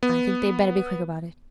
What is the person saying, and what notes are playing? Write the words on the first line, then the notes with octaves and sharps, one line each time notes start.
I think they'd better be quick about it.'
B3